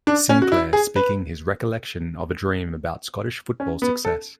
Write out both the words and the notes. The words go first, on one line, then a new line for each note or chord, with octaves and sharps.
Sinclair speaking his recollection of a dream about Scottish football success.
D4
C#4
F#4
E4
G#4
B4
C#4
B3
A4